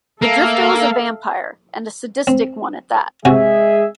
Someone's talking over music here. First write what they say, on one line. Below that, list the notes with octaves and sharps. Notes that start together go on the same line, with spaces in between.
The drifter was a vampire, and a sadistic one at that.
A#3 A4 E5 F5
C4
C3 G#3 F#4 G#4 E5 G#5